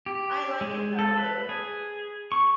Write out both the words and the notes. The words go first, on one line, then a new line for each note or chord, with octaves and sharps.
I like it now though.
G4
G#3
A4
B4
G#4
C#6